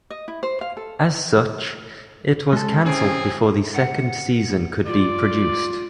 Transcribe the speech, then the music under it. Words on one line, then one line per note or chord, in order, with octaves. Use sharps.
As such, it was canceled before the second season could be produced.
D#5
E4
C5
F5
A4
G#3 A4
A2 C4 C#4 G#4
F#5
F4 D5